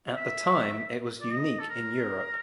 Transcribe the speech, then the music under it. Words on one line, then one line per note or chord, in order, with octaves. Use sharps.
At the time it was unique in Europe.
E5
D5
D#5
A4
A#4